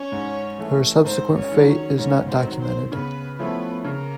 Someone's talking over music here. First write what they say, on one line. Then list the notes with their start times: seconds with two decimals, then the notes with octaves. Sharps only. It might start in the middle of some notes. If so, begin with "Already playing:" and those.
Her subsequent fate is not documented.
Already playing: C#4 C#5
0.12 G#2
0.58 E3 A3
1.04 G#2 C4 C5
1.36 C#4 C#5
1.52 D#3 F#3
1.67 C#4 C#5
1.98 G#2 C#4 C#5
2.29 C4 C5
2.44 D#3 F#3
2.60 C4 C5
2.92 C#3 B3 B4
3.38 F3 A3 B3 C#4 E4 B4
3.84 C#3 A#3 A#4